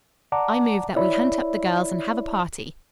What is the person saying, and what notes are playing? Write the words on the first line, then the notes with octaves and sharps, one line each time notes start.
I move that we hunt up the girls and have a party.
D5 F#5 A5 A#5 D6
E4 C#5 D5 E5 B5